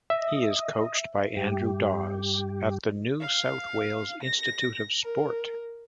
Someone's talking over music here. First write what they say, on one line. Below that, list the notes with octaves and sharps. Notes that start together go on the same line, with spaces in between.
He is coached by Andrew Dawes at the New South Wales Institute of Sport.
D#5 E5
G2 G4
F5
A#6
A#4